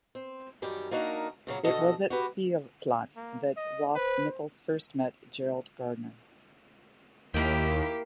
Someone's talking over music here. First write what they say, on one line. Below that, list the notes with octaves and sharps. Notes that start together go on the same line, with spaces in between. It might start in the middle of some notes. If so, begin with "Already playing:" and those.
It was at Spielplatz that Ross Nichols first met Gerald Gardner.
C4
F#2 D#3 G3 G4
A#3 D4 D#4 F#4 A#4
A#2 C#3 F#3
B2 D3 F#4 A4 D#5
F#4 G4 B4
A#3
D#5
B4 C5
D#2 A#3 E4 G4 G5